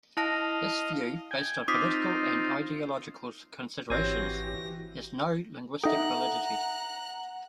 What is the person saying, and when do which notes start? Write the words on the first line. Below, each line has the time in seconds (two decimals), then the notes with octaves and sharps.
This view, based on political and ideological considerations, has no linguistic validity.
0.17 E4 D#5 F5 A5 A#6
1.31 G5 G#5
1.68 C4 D#4 F4 D6 D#6 B6
3.90 G#1 E3 C4 F#4 G4 C#5 G#5 A#6
5.84 D#4 A4 E5 F#5 G5 A#5 F#6